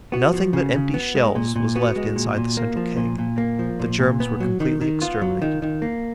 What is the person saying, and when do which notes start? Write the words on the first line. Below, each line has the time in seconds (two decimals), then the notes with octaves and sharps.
Nothing but empty shells was left inside the central keg; the germs were completely exterminated.
0.12 B3 F#4
0.33 F3
0.53 C#3
0.74 C#3
0.94 B3
1.15 G#3
1.35 A#2
1.56 A#2
1.76 B3 F#4
1.96 G#3
2.16 A#2
2.37 A#2
2.57 A#3
2.77 F3
2.97 A#2
3.18 A#2
3.38 A#3
3.59 F3
3.80 A#2
3.99 A#2
4.20 B3
4.40 F#3
4.60 D#3
4.81 D#3
5.01 B3 F4
5.22 F#3
5.42 D#3
5.62 D#3
5.82 A#3